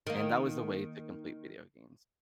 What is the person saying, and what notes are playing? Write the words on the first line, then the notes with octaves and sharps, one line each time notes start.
and that was a way to complete video games,
D#3 A#3